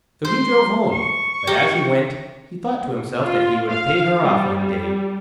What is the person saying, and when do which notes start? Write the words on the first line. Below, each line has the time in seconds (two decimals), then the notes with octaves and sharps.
So he drove home; but as he went, he thought to himself that he would pay her off one day.
0.25 C5 C6
0.92 C#6
1.47 G4 A#4
3.22 F4
3.69 F5
4.21 G3
4.56 G3